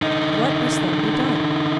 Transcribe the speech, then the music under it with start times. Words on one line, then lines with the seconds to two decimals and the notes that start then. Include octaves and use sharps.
"What must then be done?"
0.02 D3 D#4